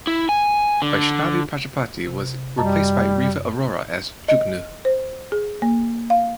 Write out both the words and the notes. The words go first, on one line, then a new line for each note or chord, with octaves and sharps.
Vaishnavi Prajapati was replaced by Riva Arora as Jugnu.
E4
G#5
D3
C3
F#2 G3 D#5 A5
D#5
C5
G#4
A#3
F5